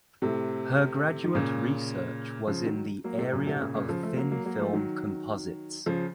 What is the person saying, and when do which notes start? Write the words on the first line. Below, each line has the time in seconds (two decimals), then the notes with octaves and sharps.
Her graduate research was in the area of thin film composites.
0.22 A2 C3
1.24 D#3
1.35 A#2 C#3
2.48 C#3 F3
2.66 D#3 F#3
3.04 F#3 A#3
3.18 A2 C3
3.32 F#2 A#2
3.46 A2 C3
3.61 A#2 C#3
3.75 A#2 C#3
3.89 C#3 F3
4.03 F3 A3
4.17 F#3 A#3
4.31 F#3 A#3
4.45 F#3 A#3
4.59 F3 A3
4.73 D#3 F#3
5.86 C#3 F3